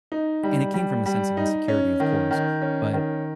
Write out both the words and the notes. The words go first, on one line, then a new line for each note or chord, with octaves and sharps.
and it came from a sense of insecurity, of course- but
D#4
G3
G3
G3
D#4
C#4
D#3
D#3
C#4
D#3